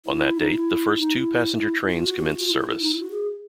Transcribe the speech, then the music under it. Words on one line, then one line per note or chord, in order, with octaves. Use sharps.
On that date, the first two-passenger trains commenced service.
E4
D#4
E4
D#4
E4
F4
F#4
G4
F4
F#4
F4
E4
E4
E4
D#4
E4
F#4
G#4